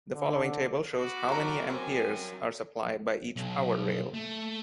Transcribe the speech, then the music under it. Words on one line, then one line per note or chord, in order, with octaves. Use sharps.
The following table shows how many amperes are supplied by each power rail.
D3
F#4 B5 D6
F#3 A4 A#4 A#5
C4 G#5
B1
A3